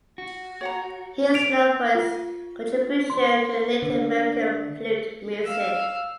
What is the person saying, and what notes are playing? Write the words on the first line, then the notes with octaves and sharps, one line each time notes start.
He is known for his contribution to the Native American flute music.
F#4
C#5 F#5 A#5
D7 F7
F4
C6
D3
F5 E6